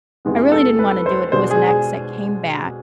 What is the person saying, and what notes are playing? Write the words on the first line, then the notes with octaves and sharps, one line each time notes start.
I really didn't wanna do it, it was an ex that came back
E2 C3 G#3 B3
A4
B4
C5
B2 G#3 D4 C5
G#4
G#4